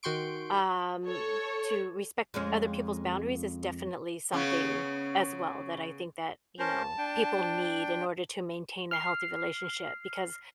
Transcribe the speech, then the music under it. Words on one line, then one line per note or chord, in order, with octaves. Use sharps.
um, to respect other people's boundaries is definitely something, as well, that I think that, you know, people need in order to maintain a healthy relationship, because,
D#3 F#4 G5 C6 C#6 D7
A4 C#5
F2 G#3 C#4
C#3 B3 C#4
C#4 A#4 C5 A5
D4 G5
F6 C7